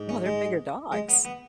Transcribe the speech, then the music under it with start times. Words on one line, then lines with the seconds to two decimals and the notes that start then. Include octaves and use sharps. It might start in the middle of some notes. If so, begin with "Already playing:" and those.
Wow, they're bigger dogs.
Already playing: G#2
0.09 C#4
0.26 G#3
0.92 G#3
1.09 B3
1.25 B3